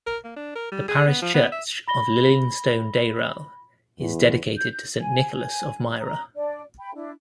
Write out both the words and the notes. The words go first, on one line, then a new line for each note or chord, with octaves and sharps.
The parish church of Lillingstone Dayrell is dedicated to Saint Nicholas of Myra.
A#4
A#3
D4
A#4
G3
G#4
B3
F3
B3
E5
B5 A#6 G7
E2
G6
G#5
A#5 D#6
D4 D5
G5 B5
D4 E4